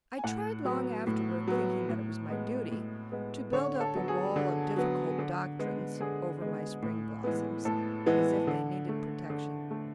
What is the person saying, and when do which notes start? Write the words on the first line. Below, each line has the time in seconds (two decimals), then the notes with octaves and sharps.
I tried long afterward, thinking that it was my duty, to build up a wall of difficult doctrines over my spring blossoms, as if they needed protection.
0.18 G#5
0.24 A2 F#5
0.65 F#3 B3
1.07 A2
1.47 F#3 B3
1.89 A2
2.29 G#3 B3
2.71 A2
3.12 G#3 B3
3.53 D3 C#5
3.80 A4
3.95 F#3 B3
4.08 G#4
4.36 D3
4.76 F#3 B3
5.18 D3
5.59 G#3 B3
6.00 D3 G#4
6.41 G#3 B3
6.82 A2
7.24 E3 G#3 B3
7.65 A2 A4
8.06 E3 G#3 B3
8.47 D3
8.89 A3
9.30 D3
9.71 A3